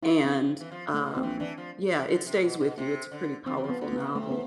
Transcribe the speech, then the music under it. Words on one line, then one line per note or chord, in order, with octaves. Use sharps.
And, um, yeah, it stays with you. It's a pretty powerful novel,
F3 E4
C4
E3
F3
A2
A3
C3
B2
C4
E3
E3 D4
F3
E3
D3
C3
B2
B2
C3
D3
F3 C4
E3
F3
B3
D3
B3
C3
B2
C3 A3
B3